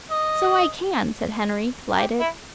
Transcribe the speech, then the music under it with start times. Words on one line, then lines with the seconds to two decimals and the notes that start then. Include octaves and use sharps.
"So I can!" said Henry, delighted.
0.11 D#5
1.96 G4
2.20 E4